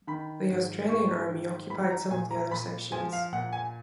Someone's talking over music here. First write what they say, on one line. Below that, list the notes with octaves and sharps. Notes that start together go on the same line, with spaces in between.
The Australian army occupied some of the other sections.
D#3 B5
G#2
G#2 C#6
D#3
F3 B5
A#5
A#2 G#5
A#5
A#2 B5
F3 G#5
F5
A#2 F#5
G#5